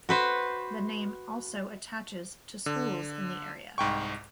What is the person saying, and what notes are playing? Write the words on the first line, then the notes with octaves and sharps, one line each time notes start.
The name also attaches to schools in the area.
F#4 B4 C5
D3
C2 G#2 G5 C#6